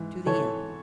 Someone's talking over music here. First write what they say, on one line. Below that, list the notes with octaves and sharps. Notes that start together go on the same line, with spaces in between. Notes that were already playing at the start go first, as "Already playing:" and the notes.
"To the end."
Already playing: G#2 E3
E3 A4 C#5